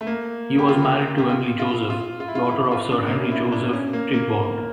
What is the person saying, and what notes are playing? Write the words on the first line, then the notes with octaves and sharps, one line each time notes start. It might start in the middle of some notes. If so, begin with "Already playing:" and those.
He was married to Emily Joseph, daughter of Sir Henry Joseph Tichborne.
A3
A#3
G4
F4
G4
F4
F4
F4
F4
E4
F4
E4
F4
D4
A#3
C#4
E4
D4
C#4
A#3
A#3